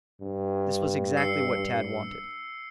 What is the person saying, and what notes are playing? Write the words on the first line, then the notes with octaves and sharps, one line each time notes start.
This was exactly what Tad wanted.
G2
E6 C7 C#7